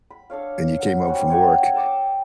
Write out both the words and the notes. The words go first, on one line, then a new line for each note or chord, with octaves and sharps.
and you came home from work,
B5
D4 A4 C#5 F5
F#5
G3 C4 C#4 F#4
C#5 F#5 G5 C#6
A4 G5 A5 D6